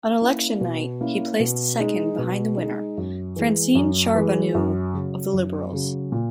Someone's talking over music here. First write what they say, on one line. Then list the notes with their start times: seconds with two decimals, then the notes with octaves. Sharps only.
On election night, he placed second behind the winner, Francine Charbonneau of the Liberals.
0.21 A#3 C#4 E4
0.61 B2
1.01 A#3 C#4 E4
1.40 B2
1.79 G#3 D#4
2.18 B2
2.57 G#3 D#4
2.98 F#2
3.36 E3 G#3
3.75 F#2
4.15 E3 G#3
4.55 F#2
4.93 C#3 F#3
5.33 F#2
5.72 C#3 F#3
6.12 A#2